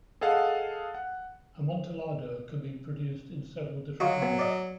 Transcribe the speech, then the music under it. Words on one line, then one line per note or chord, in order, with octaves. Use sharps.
Amontillado can be produced in several different manners.
G#4 A4 D#5 F5 F#5 A5
F#5
F#3 F4 F#4 D#5
B3
D5 D#5